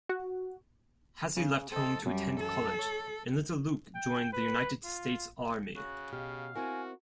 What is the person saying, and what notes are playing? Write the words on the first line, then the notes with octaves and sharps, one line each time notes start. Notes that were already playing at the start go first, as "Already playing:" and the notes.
Hassie left home to attend college, and Little Luke joined the United States Army.
F#4
C#3
C4 A4 D#5
F#2 G3
A4
C#5
G5
B4
F4
C#3 F#4
B2 G4 F5
C4 E4 F#4 A#4 G#5